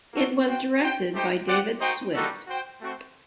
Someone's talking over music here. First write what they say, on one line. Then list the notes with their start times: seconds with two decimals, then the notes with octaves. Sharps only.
It was directed by David Swift.
0.14 A#3 F#4 A4
0.47 F#4 C5 G5
0.81 F#4 C5 G5
1.14 A3 D#4 G4 C5 G5
1.47 C4 G4 D5 F#5
1.81 D#4 F#4 C5 D#5 G5
2.14 G3 A#3 D#4 F#4 A4
2.47 F#4 C5 G5
2.81 A3 C4 F#4 C5